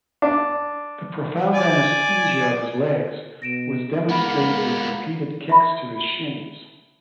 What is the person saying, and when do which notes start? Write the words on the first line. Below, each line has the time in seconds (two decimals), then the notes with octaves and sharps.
The profound anesthesia of his legs was demonstrated with repeated kicks to his shins.
0.22 D4
1.54 D5 G#5
3.42 B2 A#6 D7 E7
4.09 G#3 A#3 B3 F#5 B5
5.49 E5 B5